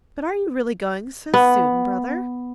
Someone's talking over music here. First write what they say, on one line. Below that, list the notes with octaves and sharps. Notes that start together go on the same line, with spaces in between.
"But are you really going so soon, brother?"
B3